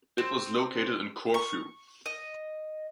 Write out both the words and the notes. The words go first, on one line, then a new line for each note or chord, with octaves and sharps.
It was located in Corfu.
C4
C#6
D#5